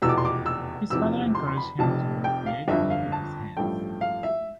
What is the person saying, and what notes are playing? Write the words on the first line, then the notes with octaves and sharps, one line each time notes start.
His father encouraged him to work creatively with his hands.
F1 E2 B2 E6
D6
C6
D6
E6
F1 E2 C3 F3 E6
C6
C6
B5
F1 F2 C3 A5
G5
F5
G1 F2 D3 E5
F5
A5
A1 G2 F3 A3 G5
F5
E5